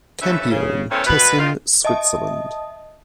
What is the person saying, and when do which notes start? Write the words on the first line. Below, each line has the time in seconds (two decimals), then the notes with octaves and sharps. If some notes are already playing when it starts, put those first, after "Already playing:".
Campione, Tessin, Switzerland.
0.21 D2 G2 C#4 A4 B4 E5
0.50 C#3
0.90 E2 C3 A3 C4 C#4
1.06 B2 B4
1.38 D#3 F4
1.85 D#5 E5 A5 D#6